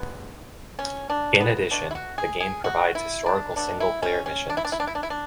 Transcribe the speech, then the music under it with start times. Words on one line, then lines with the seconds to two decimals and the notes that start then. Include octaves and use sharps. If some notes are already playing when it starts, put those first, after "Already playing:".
In addition, the game provides historical single-player missions.
Already playing: D3 G#3 B3
0.79 C#4
1.10 D4
1.40 B3
1.71 B2 A3 D4
1.91 E4
1.95 F#4
2.18 G#4
2.40 G#4
2.64 F#4
2.95 E4
3.26 D4
3.56 B2 F#3 A3 D4
3.80 E4
4.02 C#4
4.26 C#4
4.50 D4
4.57 E4
4.65 D4
4.72 E4
4.80 D4
4.87 E4
4.95 D4
5.03 E4
5.10 D4